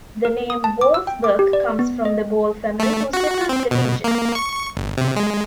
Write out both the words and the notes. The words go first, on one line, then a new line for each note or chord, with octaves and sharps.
The name "Boalsburg" comes from the Boal family who settled the region.
A#4
D#6
A5
D6
E6
G5
D6
G4
D5
B3
D#5
A3
F#4
C4
B2
A#3
C#6
G1
C3
G#3